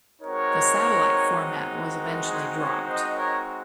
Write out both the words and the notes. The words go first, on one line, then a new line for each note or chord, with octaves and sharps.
The satellite format was eventually dropped.
G#3 C4 D#4 F#4 A#4 C#5
A#4
G#4 C5
A#4 C#5
C5 D#5
A#4 C#5